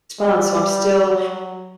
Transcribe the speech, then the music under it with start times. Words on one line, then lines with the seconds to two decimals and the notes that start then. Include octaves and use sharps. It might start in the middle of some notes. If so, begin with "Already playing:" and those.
respond, so I'm still,
0.20 G3
1.06 F#3